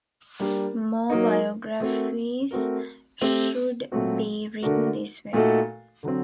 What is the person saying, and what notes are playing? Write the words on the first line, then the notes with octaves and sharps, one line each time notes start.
More biographies should be written this way.
G3 A#3 D4 G4
F#3 A#3 D#4
A3 C4 F#4 A#4
A3 C4 F#4 A#4
A3 C4 G4
A#2 F#3 A3 C4 F#4
D3 A3 D4 F#4 A#4
A#2 A3 D#4 F#4 A4
D3 F#3 C4